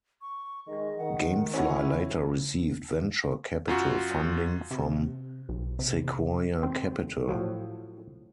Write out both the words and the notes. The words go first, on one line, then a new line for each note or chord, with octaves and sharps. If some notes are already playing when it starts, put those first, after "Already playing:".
GameFly later received venture capital funding from Sequoia Capital.
C#6
D#3 G#3 D#5
D#3 F#5
C#4 E4 F#4
F#2 F4 F#4
C3
B1
C3
C4
A2 F3 F#3